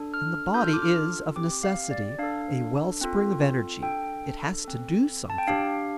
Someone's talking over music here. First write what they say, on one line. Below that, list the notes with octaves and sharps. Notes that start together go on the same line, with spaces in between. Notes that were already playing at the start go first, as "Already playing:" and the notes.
And the body is, of necessity, a wellspring of energy; it has to do something.
Already playing: D4 A4
F6
D4 F4 A4 G6
F6
D6
F6
C4 G4 D6
F5
D5
D4 A4 F5
C4 F4 A4
D4 A4 G5
C4 A4
A5
G5
D4 G4 F5